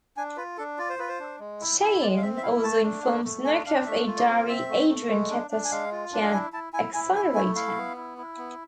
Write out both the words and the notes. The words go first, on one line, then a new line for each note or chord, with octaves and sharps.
Cheyenne also informs Nick of a diary Adrian kept that can exonerate him.
D4 G#5
F4 B4
D4 A4
F4 D5
C5
F4 B4
C5
D4
G#3
E4
E4
G#3 D5
F5
C4 E5
E5
E4 F5
A3 A5
D4
A3
A3
D4 G#5
D4 F5
A3 E5
F4
D5
C4
C4 E5
A3
A3
G#3
D4
D4
G#5
G#3 F5
F4
D4
F5
E4 G#5
E4 A5
E4 G#5
E4 G#5
E4 G#5
A3 G#5
E4 F5
B3
E4
E4
B3